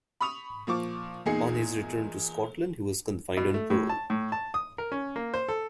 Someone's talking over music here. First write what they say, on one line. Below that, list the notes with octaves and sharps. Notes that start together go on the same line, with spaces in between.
On his return to Scotland he was confined on parole.
B5 C#6 D#6 F7
A#2 F3 C#6 D6
E2 A#2 D#4 G#4 C7 C#7
B2
A3
A2
A5
A2
A5
D#6
A#4
C#4
A#3
C5
A4